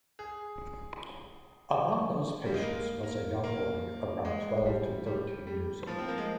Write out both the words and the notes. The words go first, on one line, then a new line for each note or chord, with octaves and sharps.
Among those patients was a young boy around twelve to thirteen years-old.
G#4
G3
G#3
A#3
A#3
A#3
G#3
G3
G3
G3
F3
C4
A#3
G#3